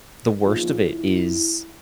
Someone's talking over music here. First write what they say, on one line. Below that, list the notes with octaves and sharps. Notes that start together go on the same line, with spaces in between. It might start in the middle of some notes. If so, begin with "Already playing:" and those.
the worst of it is
E2 C#3 F3 A#3 D#4 F4
E4